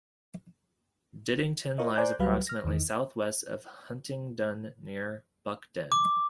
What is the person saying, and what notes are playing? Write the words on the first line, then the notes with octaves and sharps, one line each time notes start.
Diddington lies approximately south-west of Huntingdon, near to Buckden.
F4 A#4 C#5 D#5
C5 D5 G#5 A#5 F#6 G6
C#2 F#3 G3 B4 F5
F6 A#6
E2 D#3
D6